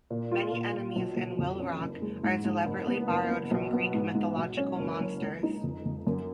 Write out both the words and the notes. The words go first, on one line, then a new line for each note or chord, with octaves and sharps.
Many enemies in Will Rock are deliberately borrowed from Greek mythological monsters.
A#2
F4
A#2
A#2
B1
B1
F2
C#4
F#1
G#3
G#2
G#2
F#1
B3
F#1
B3
B1
B3
G#2
G#2
B1
C#4
F#1
F#3
C#2
D#4
F2
F2
F#2